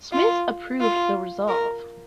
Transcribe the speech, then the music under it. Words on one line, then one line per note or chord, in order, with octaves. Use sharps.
Smith approved the resolve.
F4
F4
A#4